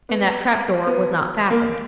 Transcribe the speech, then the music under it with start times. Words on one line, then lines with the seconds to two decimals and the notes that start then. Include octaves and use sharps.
And that trap-door was not fastened.
0.09 B3
0.87 B3
1.50 A#3